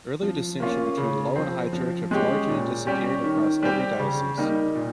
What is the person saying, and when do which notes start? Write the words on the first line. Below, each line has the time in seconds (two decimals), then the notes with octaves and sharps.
Earlier distinctions between Low and High Church have largely disappeared across every diocese.
0.22 F3
0.60 A#3 C#4 F4
0.98 C#3
1.36 F3 C4
1.73 F3
2.11 G#3 C#4 G4
2.49 A#2
2.87 G3 C#4 G4
3.24 D#3
3.62 G3 C4 G4
4.00 C#3
4.38 G3 A#3 D#4
4.75 A#2